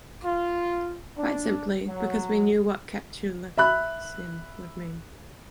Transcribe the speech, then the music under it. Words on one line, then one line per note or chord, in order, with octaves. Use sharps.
Quite simply because we knew what capitulacion would mean.
F4
D4
F#3
E5 B5 F#6